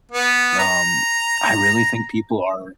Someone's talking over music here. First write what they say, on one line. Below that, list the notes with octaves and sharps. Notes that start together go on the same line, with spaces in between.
Um, I really think people are
B3
A#5